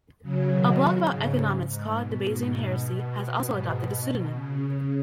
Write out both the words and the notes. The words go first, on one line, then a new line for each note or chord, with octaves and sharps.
A blog about economics called "The Bayesian Heresy" has also adopted the pseudonym.
C#3 F#3
B2 D#3
C#3
G#2
G#2
B2
G#2
B2
B2
B2
G#2
B2
C#3